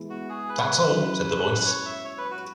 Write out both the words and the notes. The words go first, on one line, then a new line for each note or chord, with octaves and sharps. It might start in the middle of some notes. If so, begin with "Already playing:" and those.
"That's all," said the Voice.
Already playing: E3 G#3 B3 E4
F#4
G#4
B4
B4
F#3 C#4 E4
C#5
E5
C#5
B4
F#4